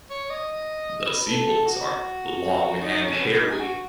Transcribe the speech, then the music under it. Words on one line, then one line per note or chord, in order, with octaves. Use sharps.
The sepals are long and hairy.
C#5
D#5
B4
A4
A4
F#4
D#4
C#4
B3
D#4
G#4
F#4